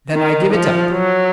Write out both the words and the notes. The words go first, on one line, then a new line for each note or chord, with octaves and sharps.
"Then I give it up."
D#3
F3
F#3